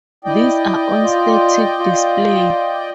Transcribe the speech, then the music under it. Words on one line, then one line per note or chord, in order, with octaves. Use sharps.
These are on static display.
E4 D5 D#5 G5
F4
F4